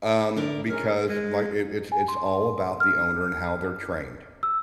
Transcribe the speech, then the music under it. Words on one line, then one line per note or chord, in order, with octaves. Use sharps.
Um, because, like, it it's it's all about the owner and how they're trained,
D3 D4 A#4
G#3 C#4 A#4 C#5
G#3
G#5
C6
F6
E6